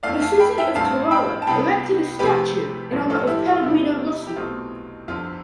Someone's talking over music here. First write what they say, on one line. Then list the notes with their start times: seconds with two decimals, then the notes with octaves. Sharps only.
The city of Carrara erected a statue in honour of Pellegrino Rossi.
0.03 G1 F2 E3 A3 D5 F5
0.22 F5 A5
0.39 G5 B5
0.58 E5 G5
0.75 A1 G2 D3 A3 C4 F5 A5
1.11 G5 B5
1.42 A5
1.47 C2 C3 G3 B3 G5 B5
2.19 D2 C3 F3 A3 G4 B4
2.91 A1 G2 F3 A3
3.10 F4 A4
3.27 E4 G4
3.46 F4
3.63 E2 C3 G3 B3 D4 E4
4.27 G4
4.36 B1 B2 A3 C4 F4
5.07 G1 F2 D3 F3 F4